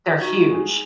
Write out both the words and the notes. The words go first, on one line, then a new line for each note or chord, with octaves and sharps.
They're huge.
D#4 F#4
G#3